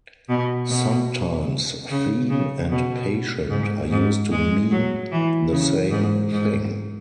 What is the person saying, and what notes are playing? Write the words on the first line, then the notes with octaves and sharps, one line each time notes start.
Sometimes, "theme" and "patient" are used to mean the same thing.
B2
B2
C#3
C#3
B2
G#2
G#2
G#3
F#3
E3
C#3
G#2
G#2